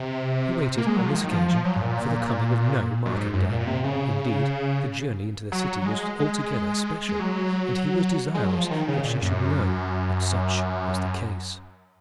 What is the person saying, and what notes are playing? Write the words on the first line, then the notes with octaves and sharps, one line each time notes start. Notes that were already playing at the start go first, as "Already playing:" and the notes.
He waited, on this occasion, for the coming of no market-day; indeed, the journey into the city was altogether special, and he was desirous that she should know that such was the case.
Already playing: C3
A#3
G#3
F#3
F3
D#3
F3
F3
F#3
G#2
A#2
F#2
G#2
F#2
A#2
A#2
C3
C#3
F#3
F#3
G#3
G#3
G#3
F#3
G#3
F#3
F3
D#3
C#3
A#2
F#2